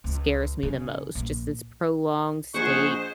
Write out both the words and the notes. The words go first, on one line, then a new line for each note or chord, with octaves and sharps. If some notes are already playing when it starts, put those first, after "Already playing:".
scares me the most. Just this prolonged state
C#2
C#3
A#1
A#1 G#4 C5 D#5 F#5 C#6